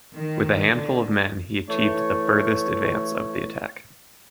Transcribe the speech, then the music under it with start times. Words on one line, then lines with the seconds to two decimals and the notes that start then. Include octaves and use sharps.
With a handful of men, he achieved the furthest advance of the attack.
0.14 D#3
0.71 D3
1.69 E3 A3 C#5